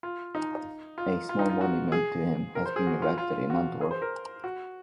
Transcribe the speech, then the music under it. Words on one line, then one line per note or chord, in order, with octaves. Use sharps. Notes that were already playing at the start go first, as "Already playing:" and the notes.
A small monument to him has been erected in Antwerp.
F4
D#4
F4
F4
D#4
F4
F#4
G#4
A#4
C5
G#4
F#4
F4
F4
F#4
G#4
C5
A#4
F#4